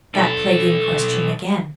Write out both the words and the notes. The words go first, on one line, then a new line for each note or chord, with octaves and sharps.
That plaguing question again.
B1 A4